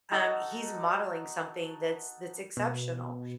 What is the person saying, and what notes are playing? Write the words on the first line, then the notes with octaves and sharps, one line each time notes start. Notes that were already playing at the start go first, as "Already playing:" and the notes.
um, he's modeling something that's that's exceptional.
D#4 F#4 A4
B2